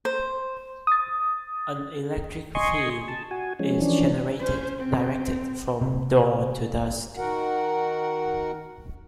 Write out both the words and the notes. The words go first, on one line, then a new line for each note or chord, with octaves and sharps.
An electric field is generated, directed from dawn to dusk.
C5
D#6 A6
D#5 G#5 C6 C#6
A5
F#4 G#5
F3 G#3 C#4
E3 F3 C#4 D4
C#4 C5
C4
C3
D#3 F#4 A#4 F#5